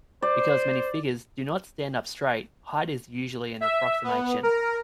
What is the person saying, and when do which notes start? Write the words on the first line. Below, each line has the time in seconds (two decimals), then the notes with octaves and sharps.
Because many figures do not stand up straight, height is usually an approximation.
0.22 C5 D5
3.61 E5
4.04 B3
4.43 A#4